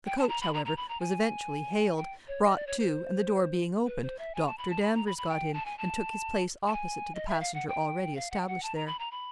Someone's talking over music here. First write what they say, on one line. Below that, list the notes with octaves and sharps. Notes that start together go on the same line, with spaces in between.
The coach, however, was eventually hailed, brought to, and the door being opened, Dr. Danvers got in, and took his place opposite to the passenger already established there.
G5
A5
A#5
B5
A#5
A#5
B5
A#5
G#5
G5
C#5
D#5
D5
C#5
C5
B4
C5
E5
G#5
A5
B5
A5
B5
A#5
B5
B5
G5
A5
G#5
A5
A5
G#5
D#5
E5
F5
F#5
G5
F5
F#5
G5
F#5
A5
A#5
B5
A#5
B5